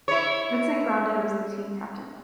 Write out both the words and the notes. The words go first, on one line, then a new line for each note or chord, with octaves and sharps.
Vincent Grande was the team captain.
E4 C#5